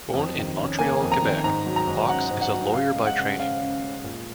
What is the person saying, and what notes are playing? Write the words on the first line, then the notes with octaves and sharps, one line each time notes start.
Born in Montreal, Quebec, Fox is a lawyer by training.
F2
D#3
C#4
A#3 G#5
F2
A#5
D#3
G#2 A#5
F#3
A#5
G#2
C#4 F#5
G#2
F#5
F#3
C#3 F5
G#3
F#5
C#3
C#4 F5
C#3
G#3
A#2